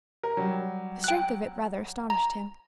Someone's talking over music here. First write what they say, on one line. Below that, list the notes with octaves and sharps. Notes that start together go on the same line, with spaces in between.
The strength of it rather astonished him.
A#4
F#3 G3
G5 F#6
A#5